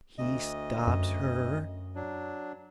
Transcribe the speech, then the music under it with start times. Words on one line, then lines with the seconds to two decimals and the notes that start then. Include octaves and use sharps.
He stops her.
0.18 D2 D#5
0.87 F#2
1.95 F#3 D4